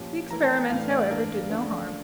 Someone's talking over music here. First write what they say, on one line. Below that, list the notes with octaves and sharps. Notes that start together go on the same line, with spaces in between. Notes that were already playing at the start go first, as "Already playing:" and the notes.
The experiment, however, did no harm.
Already playing: A#2 F3 C#4 G4
E3 A3 E4 A#4 A#5
A5
G5
A2 E3 A3 D4 F5
D5
G2 E3 A#3 D4 A4 A#4
D2 C#3 F3 A3 D4